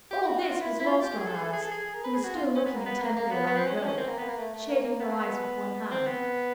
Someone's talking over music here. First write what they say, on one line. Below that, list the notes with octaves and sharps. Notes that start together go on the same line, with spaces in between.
All this was lost on Alice, who was still looking intently along the road, shading her eyes with one hand.
G4
F#4
F#4
F4
E4
E4
F4
G4
G#4
A4
G#4
A4
G#4
A4
G#4
A#4
B4
G#4
F#4
F4
C#4
B3
A#3
B3
A#3
A#3
B3
B3
C4
C#4
C#4
D4
C#4
C4
A#3
B3
A#3
A3
A3
A#3
A#3
B3
A#3
B3
C4
B3